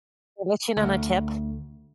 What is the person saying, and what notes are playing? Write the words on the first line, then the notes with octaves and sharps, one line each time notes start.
let you in on a tip.
D2